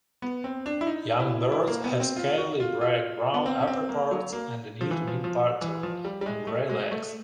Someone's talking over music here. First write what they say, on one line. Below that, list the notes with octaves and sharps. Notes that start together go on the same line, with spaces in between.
Young birds have scaly black-brown upperparts and a neat wing pattern, and grey legs.
B3
C4
D4
E4
D#4
E4
E4
A#3
B3
C4
F4
F#4
F4
F4
B3
C4
C#4
C4
A#3
F#3
A#3
F3
E3
F3
F3
E3
F3
G3
G3
G#3
A3
G#3
A3